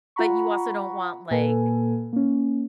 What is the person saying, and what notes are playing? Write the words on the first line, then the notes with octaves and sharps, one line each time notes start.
But you also don't want, like
F4 F#5 A#5 B5 C#6
A#2 A#3 A4 B4 G#5
A#3 C#4